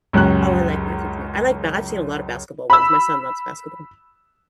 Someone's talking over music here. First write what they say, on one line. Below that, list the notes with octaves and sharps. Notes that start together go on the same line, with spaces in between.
Oh, I like Michael Jordan. I like ba I've seen a lot of basketball ones. My son loves basketball.
C#2 F#2 C#4 G4 F#6
B5 E6